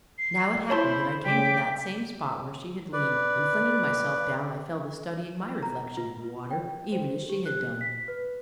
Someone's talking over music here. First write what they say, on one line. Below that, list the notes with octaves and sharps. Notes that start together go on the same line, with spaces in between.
Now it happened that I came to that same spot where she had leaned and, flinging myself down, I fell to studying my reflection in the water, even as she had done.
C7
E4 C5 C#5 A5 B5 C6
C#3 G5 D6 B6
B4 D5
A#5
F4
F4
G5
C5
G4
F#6
B6
B4